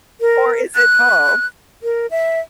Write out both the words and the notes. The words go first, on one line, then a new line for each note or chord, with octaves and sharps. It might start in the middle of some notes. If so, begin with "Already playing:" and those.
Or is it both?
A#4
F#6
A#4
E5